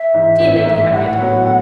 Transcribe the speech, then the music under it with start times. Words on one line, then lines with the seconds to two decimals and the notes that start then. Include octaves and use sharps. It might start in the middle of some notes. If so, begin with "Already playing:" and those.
Dear Lady Harriet!
Already playing: E5
0.14 G#2 E3
0.40 A1
0.66 G#2 E3
0.92 A2 F#5
1.18 F#3 B3
1.45 A2